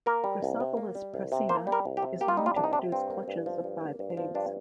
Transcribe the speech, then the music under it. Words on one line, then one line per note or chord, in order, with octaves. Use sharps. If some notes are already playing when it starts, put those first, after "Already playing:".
"Gastropholis prasina" is known to produce clutches of five eggs.
A#3 A#4
G3
C2
C3
A#3
G3
C2
C3
A#3 C5
G3
A#4
C2
G4
C3
A#3 G4
F4
G3 D#4
F4
C2 D4
D#4
C3 D4
G2 C4
A#3
G2
F3
G2
A#3
G2
F3
G2 D4